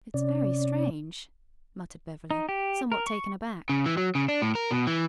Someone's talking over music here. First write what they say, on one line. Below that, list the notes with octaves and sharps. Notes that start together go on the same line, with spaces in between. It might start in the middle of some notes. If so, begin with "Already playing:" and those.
"It's very strange," muttered Beverly, somewhat taken aback.
C3 C#4 D5
D#4
G4
A#4
C#6
C#3
E3
F#3
C#3
D4
A2
A#4
B2
E3